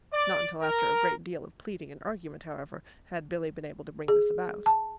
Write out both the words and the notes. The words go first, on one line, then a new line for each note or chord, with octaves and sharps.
Not until after a great deal of pleading and argument, however, had Billy been able to bring this about.
D5
A#4
G#4
A5